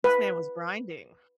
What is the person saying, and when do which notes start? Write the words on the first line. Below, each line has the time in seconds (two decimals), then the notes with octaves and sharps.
This man was grinding.
0.04 B4